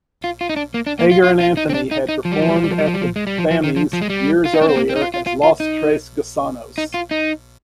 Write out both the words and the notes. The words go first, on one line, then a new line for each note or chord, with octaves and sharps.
Hagar and Anthony had performed at the Bammies years earlier as Los Tres Gusanos.
F4
F4
D#4
D4
A#3
D4
A#3
F4
F4
F4
D#4
C4
D4
D#4
D#4
F3
G3
F3
G3
F3
G3
F3
G3
F3
G3
F3
G#3
G3
F3
F3
D#3
F3
F3
G#3
G3
F4
D#4
D4
C4
A#3
C4
D#4
F4
F4
F4
F4
D#4
D#4
F4
D#4